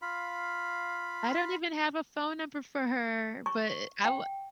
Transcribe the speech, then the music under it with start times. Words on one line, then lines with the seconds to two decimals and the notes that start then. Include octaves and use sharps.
I don't even have a phone number for her, but I w
0.02 F4 F5 B5
3.46 C#6
4.05 G5